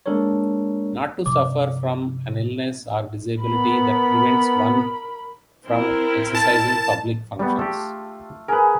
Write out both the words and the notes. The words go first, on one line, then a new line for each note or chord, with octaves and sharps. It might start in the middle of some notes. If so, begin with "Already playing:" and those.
Not to suffer from an illness or disability that prevents one from exercising public functions.
G#3 A#3 D4 A4 A#4 C#5
G2 C3 F3 D6
B3 A#4 B5
C4 E4 A#4
A5
G3 A3 B3
F4 G4 A4
G#4 A#4 B4